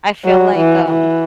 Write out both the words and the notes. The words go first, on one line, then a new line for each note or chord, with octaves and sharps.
I feel like, um
F#3
E3
E3